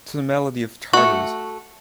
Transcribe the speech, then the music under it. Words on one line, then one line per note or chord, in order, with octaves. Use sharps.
To the melody of Chartres.
A3 F#4 C#6